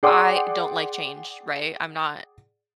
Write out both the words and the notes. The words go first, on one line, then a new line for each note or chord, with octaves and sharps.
I don't like change, right? I'm not
G#4 D5 F#5 G5 C6 D6